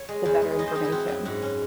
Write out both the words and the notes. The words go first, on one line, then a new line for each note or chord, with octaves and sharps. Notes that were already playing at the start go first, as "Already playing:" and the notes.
the better information?"
Already playing: C#5
G#3
E2
G#3
E3 D#5
C5
C4 D#4
E4
C4 F#4
F#2
G#2 F#4
C#4